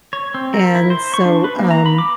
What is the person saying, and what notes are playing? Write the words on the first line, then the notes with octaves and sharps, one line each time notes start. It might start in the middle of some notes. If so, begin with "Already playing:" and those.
and so, um,
C#5
C4
A#4
E4
C5
C#6
D4
B4
A#3
A#5
B5
D6